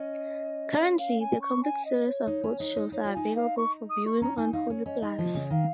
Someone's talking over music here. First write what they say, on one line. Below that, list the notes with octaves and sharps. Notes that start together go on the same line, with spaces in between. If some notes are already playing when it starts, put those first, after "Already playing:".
Currently, the Complete Series of both shows are available for viewing on Hulu Plus.
Already playing: C#4 D#5
F5
G#5
C#6
G#5
D#5
C#5
D#4
C#4
D#4
D#4
D#4 C#5
F4
D#4 G#5
F5
C#6
D#6
C#6
C#4 A#5
D#4 G#5
D#4 F5
C#4
C#4 D#5
D#4
F3
C#3
D#3 F5